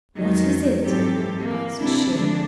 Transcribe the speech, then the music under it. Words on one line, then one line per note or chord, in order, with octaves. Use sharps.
'What is it?' asked she.
F2 D#3 F#3 G#3
G#2 E3 F#3 C4 G4 A4
A#3
A2 C3 E3 D4 E4
D3 F3 G#3 A3 D4